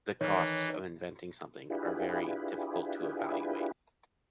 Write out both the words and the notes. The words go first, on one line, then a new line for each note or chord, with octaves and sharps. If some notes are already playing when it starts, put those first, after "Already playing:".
The costs of inventing something are very difficult to evaluate.
D#3 E3 C#5
D4 E4 F4 G4 G#4 B4